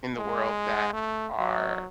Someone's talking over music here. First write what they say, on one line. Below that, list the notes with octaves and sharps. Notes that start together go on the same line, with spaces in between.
in the world that are
G#3
A3
F#3